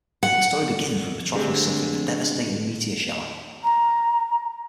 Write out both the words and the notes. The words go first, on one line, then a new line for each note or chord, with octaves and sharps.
The story begins with Metropolis suffering a devastating meteor shower.
F#5
D3 G#3 A3 C4 D4 G4
A#5